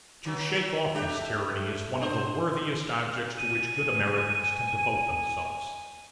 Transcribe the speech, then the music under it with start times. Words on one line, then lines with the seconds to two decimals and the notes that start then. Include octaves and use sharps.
To shake off this tyranny is one of the worthiest objects to which good Americans can devote themselves.
0.25 D#3 F#3
0.94 D4 G4 A4 E5
2.01 D4 C5
3.38 G#5 D#7